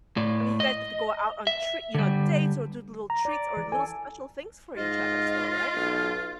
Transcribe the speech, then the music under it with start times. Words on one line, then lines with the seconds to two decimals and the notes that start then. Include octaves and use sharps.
I mean, you guys have to go out on treat you know, dates, or do little treats, or little special things for each other still, right?
0.17 A2 D5
0.60 D#5
1.47 E5
1.94 D3 G3
3.10 A#5
3.25 D5
3.57 E3
3.72 A4 G#5
4.77 G#2 F4 D#5
5.76 B1